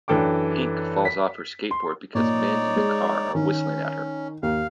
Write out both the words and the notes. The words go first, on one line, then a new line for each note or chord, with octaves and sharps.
Pink falls off her skateboard because men in a car are whistling at her.
F#2 E3 D4 A4 G5 D6
B6
C6
A#2 D#4 C#5 D5
G#3
D#3 C#4
D#2 F5